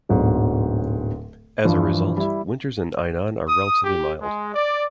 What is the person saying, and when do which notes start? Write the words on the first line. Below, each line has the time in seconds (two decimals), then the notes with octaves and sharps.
As a result, winters in Ainan are relatively mild.
0.09 D1 G#2 B2 D3 F#3
1.65 G2 E3 F3
2.17 G3 E4
3.48 D#6
3.83 G4
4.22 G#3
4.54 D5